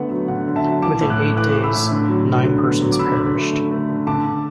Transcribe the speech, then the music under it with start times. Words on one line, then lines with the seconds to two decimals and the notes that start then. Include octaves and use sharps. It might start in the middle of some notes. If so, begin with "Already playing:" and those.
Within eight days, nine persons perished.
Already playing: D3 A3 B3 F#5
0.11 F#3
0.28 D3 F#5
0.47 D3
0.56 E5 A5
0.65 F#3
0.82 E3 A5 D6
1.01 A2
1.10 D6 F#6
1.19 A3
1.37 E3 D6 F#6
1.53 A3 D6
1.63 B5 E6
1.73 A2
1.91 D3
2.09 F#3
2.27 F#3
2.45 D3
2.63 B3
2.81 F#3
2.92 D6
2.99 D3 B5 E6
3.17 D3
3.35 A3
3.53 D3
3.71 A3
3.89 D3
4.07 D3 A5 D6
4.26 D3